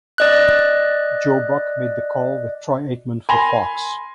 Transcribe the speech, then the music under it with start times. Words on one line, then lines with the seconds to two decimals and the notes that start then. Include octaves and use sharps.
Joe Buck made the call with Troy Aikman for Fox.
0.18 D5 D#5 F#6
3.29 G#5 B5 C6 A#6 F7 G7